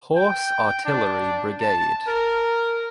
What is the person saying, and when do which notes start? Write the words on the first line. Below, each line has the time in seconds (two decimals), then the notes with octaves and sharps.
Horse Artillery Brigade.
0.16 G5
0.85 D4
1.60 A5
2.08 A#4